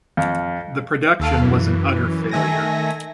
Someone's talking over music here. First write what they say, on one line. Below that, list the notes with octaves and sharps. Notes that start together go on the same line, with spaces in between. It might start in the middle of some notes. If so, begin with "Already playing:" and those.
The production was an utter failure.
F2
D#2 A4 F5
F#2 E3
D#3 A3 E5 G#5 A#6